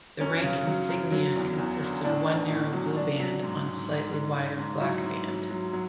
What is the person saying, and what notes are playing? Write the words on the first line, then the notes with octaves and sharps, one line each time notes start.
The rank insignia consists of one narrow blue band on slightly wider black band.
F#2 C#4
C#3
F#3
F#2
F#3
E2
E2
D3
A2 D4
A2
A2
F#3
F#3 D4
F#3
G#2
G#2
G#2
G#2
G#2
G#2
F#3 E4
G#2
F#3
F#3
F#3